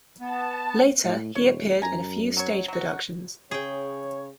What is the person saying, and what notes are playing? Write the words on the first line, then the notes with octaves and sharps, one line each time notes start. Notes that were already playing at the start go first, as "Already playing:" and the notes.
Later he appeared in a few stage productions.
B3 A5
A2
D#1 C#5
F#2 G#5 A#5
F#3 C#5
F#3 F#4
C#3 G#4 C#5 G5